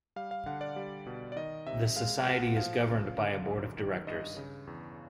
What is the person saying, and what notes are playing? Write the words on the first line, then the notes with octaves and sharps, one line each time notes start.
The Society is governed by a board of directors.
G3 F5
F5
D3 F#5
D5
G3
B2
D5
D#3 D#5
C3 E5
G#3 F5
B2 F#5
F3 F5
C#3
D3
F#2
D#3
G2 D#5
C#3
E2